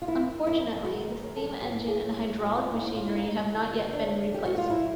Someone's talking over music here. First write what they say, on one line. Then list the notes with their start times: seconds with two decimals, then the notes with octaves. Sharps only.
Unfortunately, the steam engine and hydraulic machinery have not yet been replaced.
0.02 F4
0.08 D#3 E4
0.47 F#2 E4
0.85 D#3 F#4
1.23 F#2
1.36 A4
1.62 A2 G4
1.88 G#4
2.00 A2
2.13 G4
2.39 A2 F#4
2.58 F4
2.73 D#4
2.77 A2 E4
2.96 F4
3.08 E4
3.15 A3 D#4
3.54 D3
3.93 D#2 D4
4.32 A3 G4
4.45 F#4
4.58 F4
4.69 F#3 E4